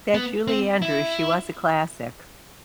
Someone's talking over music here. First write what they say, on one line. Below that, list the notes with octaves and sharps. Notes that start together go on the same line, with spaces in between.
That Julie Andrews, she was a classic.
B3
C4
E4